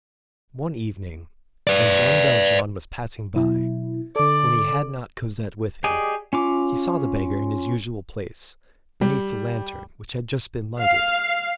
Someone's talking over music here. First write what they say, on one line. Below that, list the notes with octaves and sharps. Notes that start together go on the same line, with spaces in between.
One evening, as Jean Valjean was passing by, when he had not Cosette with him, he saw the beggar in his usual place, beneath the lantern which had just been lighted.
B4 D5
B2 F#3 E4
D3 A4 D5
G4 G#4 D5 D#5
C#4 F4 D6
G3
F5